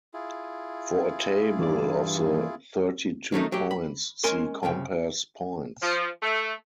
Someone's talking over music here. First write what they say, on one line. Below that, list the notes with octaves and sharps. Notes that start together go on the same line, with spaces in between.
For a table of the thirty-two points, see compass points.
E4 F4 G#4
G2 E3 D5
D#3 F#3 A3 D#4
F#3 G4
B5
G#3 C#4 A#4 G#5 C6
C2 F#2 C#3 G5
F3
A3